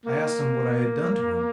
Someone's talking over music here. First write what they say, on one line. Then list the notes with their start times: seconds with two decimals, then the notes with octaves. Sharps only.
I asked him what I had done to him.
0.06 A#3